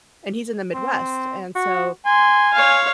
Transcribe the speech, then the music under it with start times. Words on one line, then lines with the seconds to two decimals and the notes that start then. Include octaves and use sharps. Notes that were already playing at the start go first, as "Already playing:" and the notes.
and he's in the Midwest, and so,
0.74 C4
1.56 F#4
2.06 G#5 C6
2.53 C#5 F5